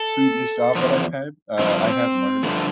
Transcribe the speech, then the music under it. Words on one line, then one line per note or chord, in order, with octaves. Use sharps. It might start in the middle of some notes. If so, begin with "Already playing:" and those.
previous job that I've had, uh, I have learned
Already playing: A4
E2 D3 F3
G2 F3 C4
G2 D3 F3 A3